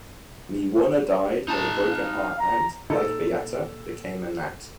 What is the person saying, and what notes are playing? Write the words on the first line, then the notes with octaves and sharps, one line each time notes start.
Me Wunna died of a broken heart and, like Byatta, became a nat.
D#4 A5
F5
A#5
A#2 D#4 A4